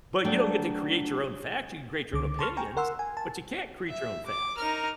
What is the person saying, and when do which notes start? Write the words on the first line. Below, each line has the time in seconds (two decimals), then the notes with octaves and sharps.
but you don't get to create your own facts. You can create your own opinions, but you can't create your own facts.
0.25 F#3 A3 D4 D5 G5
2.13 C#2 D3 D6
2.39 A5 C6 C#6 F6
2.57 G5 G#5 A#5 C#6
2.77 A#4 F#5 C6 E6
2.99 G#5
3.17 A5
3.88 E5
4.26 D6
4.57 D#4 A#4 F6